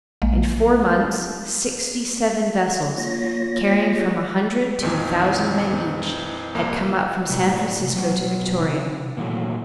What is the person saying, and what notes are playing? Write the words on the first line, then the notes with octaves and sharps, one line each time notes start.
In four months sixty-seven vessels, carrying from a hundred to a thousand men each, had come up from San Francisco to Victoria.
A#1 G#3 A#3
A#3 F4 C#5 A#6
F2 A#2 D#3 E3
C2 A#3
A2 C3 D5
B2 F#3
C3 D#4
A#2 D#3 E3 F#3 A3